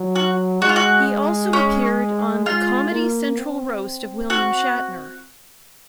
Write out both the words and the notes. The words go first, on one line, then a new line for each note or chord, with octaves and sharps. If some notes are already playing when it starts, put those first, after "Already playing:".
He also appeared on the "Comedy Central Roast of William Shatner".
Already playing: F#3
F#4
G#3 F#4
F4
F#4
C#4
G#3 F4
A#3
C4
F#4